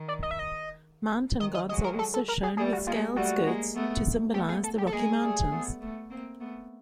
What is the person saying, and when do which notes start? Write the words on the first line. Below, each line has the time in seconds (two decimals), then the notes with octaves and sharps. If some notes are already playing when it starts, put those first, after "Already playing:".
Mountain gods are also shown with scaled skirts to symbolise the rocky mountains.
Already playing: D#3
0.08 D5
0.23 D#5
0.31 E5
0.39 D#5
1.40 D#3 D#5
1.54 D#5
1.69 F#3 G#3 D#5
1.84 A#4
1.99 A4
2.14 A4
2.28 A#4
2.43 G#4
2.57 G3 A3 G#4
2.72 F#4
2.87 G#3 A#3 F4
3.16 G3 A3 F#4
3.46 G#3 A#3
3.75 A3 B3
4.34 A3 B3 G4
4.49 G#4
4.63 A4
4.78 G4
4.87 A4
4.92 G#3 A#3 G#4
5.21 G3 A3
5.51 A3 B3
5.81 A3 B3
6.10 A#3 C4
6.40 A3 B3